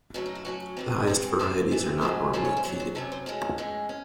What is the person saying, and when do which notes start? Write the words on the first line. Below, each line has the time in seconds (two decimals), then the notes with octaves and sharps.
The highest varieties are not normally keyed.
0.14 A2 F#3 C#4
0.26 D#4
0.35 E4
0.45 A2 F#3 C#4 F#4
0.77 C3 E3 C4
1.07 C3 E3 C4 G#4
1.23 G#4
1.39 C3 E3 A3 C4 C5
1.70 C3 E3 A3 C4
2.01 G#2 F#3 A3 C#4 C5
2.33 G#2 F#3 A3 C#4 C5
2.45 C#5
2.57 C5
2.64 C3 F#3 C#4 C#5
2.80 C5
2.95 C3 F#3 C#4 A4
3.12 C5
3.26 A2 G#3 C#4 A4
3.58 A2 G#3 C#4
3.89 C#4